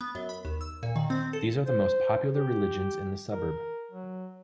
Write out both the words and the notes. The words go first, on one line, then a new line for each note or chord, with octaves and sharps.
These are the most popular religions in the suburb.
B3
F#2
B5
D#2
E6
A#2
D#3
C4
A4
C5
G4
A#4
F#3